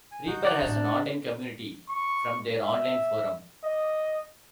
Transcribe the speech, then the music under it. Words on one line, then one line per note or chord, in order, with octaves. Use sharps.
Reaper has an online community, from their online forum.
G#5
C#3 D#4 F#4 G6
D5 F#5
A2 G#3 D4
B4 D5 F#5
C#6
E5
D#5